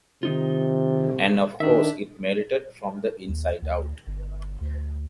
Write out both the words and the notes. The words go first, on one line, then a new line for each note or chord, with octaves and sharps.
And of course it melted from the inside out.
C3 D#3 D#4 F4
D#3 D4 E5
D#2
D2
G1
D2